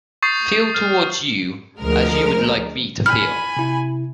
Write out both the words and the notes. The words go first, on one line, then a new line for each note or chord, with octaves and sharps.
Feel towards you as you would like me to feel.
C#6 D#6 G6 A6 C7
F6
D2 F3 G#3 A#4 F6
G#5 B5 F6
C3 E4